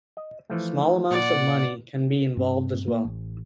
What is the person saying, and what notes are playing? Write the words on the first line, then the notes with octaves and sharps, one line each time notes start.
Small amounts of money can be involved as well.
D#5
E3 F3 A3
A#2 D5 F#5
G2 C4
A#3
A1